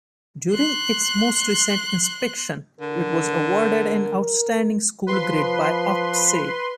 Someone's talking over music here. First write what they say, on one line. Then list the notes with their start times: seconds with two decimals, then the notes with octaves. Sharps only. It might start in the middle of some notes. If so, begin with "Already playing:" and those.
During its most recent inspection it was awarded an Outstanding school grade by Ofsted.
0.53 C6 F#6
2.81 D3 A#4
5.07 F3 B4 C6